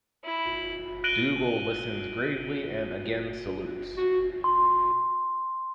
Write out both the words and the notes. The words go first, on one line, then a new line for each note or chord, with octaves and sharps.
Dougal listens gravely and again salutes.
E4
F#6 A#6 D7 D#7 F#7 G7
F#4
C6